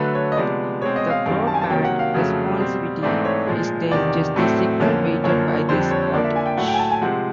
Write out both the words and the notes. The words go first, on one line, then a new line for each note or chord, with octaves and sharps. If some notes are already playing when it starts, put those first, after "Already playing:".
The broad-band responsivity, is then just the signal weighted by this wattage.
Already playing: D3 F#3 A3 B4
C#5
D#5
C3 F3 G#3 B3 D5
B2 G#3 C4 C#5
D#5
F5
F#2 D#3 G3 C4 F5
A5
G#5
A5
C3 D#3 F#3 A#3 C#4 G5
F#5
F5
F2 C#3 F#3 A3
B2 G3 C4
G#2 E3 A3 C4 D5
C#5
A#2 F3 G#3
E2 C3 D#3 D5
A2 F#3 A3 C4
F2 D3 F3 A#3 C#4
F#2 D3 F3 A#3 C#5
F2 D3 G3 C4 C5
C#5
D3 F3 A#3 D5
E5
G#5
G5
A2 F#3 A3 F#5
G5
G#5
A5
G#5
C3 F3 G#3 C4 F#5